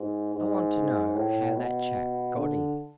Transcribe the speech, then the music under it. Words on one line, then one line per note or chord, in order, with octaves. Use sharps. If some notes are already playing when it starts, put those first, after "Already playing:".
I want to know how that chap got in.
Already playing: G#2
G#2
A2
B2
D3